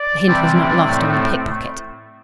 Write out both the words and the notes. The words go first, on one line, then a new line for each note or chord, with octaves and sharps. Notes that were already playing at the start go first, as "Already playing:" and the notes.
The hint was not lost on the pick-pocket.
Already playing: D5
C3 E3 G3 C4
A2 A3 C4